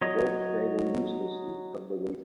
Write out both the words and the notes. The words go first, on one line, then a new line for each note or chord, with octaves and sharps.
The ropes dangle uselessly from my waist.
F#3 C#5 D#5